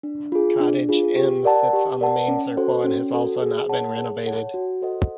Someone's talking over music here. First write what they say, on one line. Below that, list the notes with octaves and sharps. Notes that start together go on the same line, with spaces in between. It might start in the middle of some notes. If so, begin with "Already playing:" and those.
Cottage "M" sits on the main circle and has also not been renovated.
D4
F4 G#4
D4
F4 G#4
G4
A#4 D5 F#5 A5
G4
A#4 D5 F#5 A5
C#4
F#4 A4 C5
C#4
F#4 A4 C5
G#4
C#5 F#5 A5
G#4
C#5 F#5 A5
F#4
A4 C5 D#5 F#5